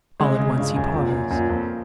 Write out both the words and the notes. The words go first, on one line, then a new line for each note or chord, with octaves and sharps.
All at once he paused.
C3 G#3
C#3
G2 C#3
F#2
F#2 A#2
F#2
F#2 A#2
F2